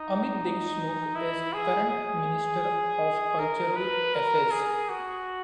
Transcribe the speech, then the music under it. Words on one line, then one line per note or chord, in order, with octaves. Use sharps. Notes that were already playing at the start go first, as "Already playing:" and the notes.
Amit Deshmukh is current Minister of Cultural Affairs.
Already playing: D#4
E4
G#4
G#4
A#4
B4
A#4
G#4
F#4